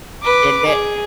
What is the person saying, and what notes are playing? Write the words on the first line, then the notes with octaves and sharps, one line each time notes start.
Did it?
B4 D6
G#4